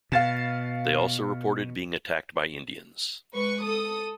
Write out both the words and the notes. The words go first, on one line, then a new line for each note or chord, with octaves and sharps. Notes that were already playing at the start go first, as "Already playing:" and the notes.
They also reported being attacked by Indians.
B2 F5 A6 E7
G#3 B4 C#6
A4 D#6